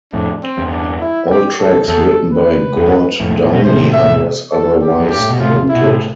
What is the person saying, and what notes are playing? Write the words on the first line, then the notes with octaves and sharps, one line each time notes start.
All tracks written by Gord Downie unless otherwise noted.
F2 A2 D4
C4
E2 G2
D4
E4
G4
A4
E2 A4
B4
E2 G2
F2 A2
A2
B2
A2 C3 C5
E5
A4
G4
F2
G2 G4
A2
B2
A2 C3 F4
E4
B2
A2 C3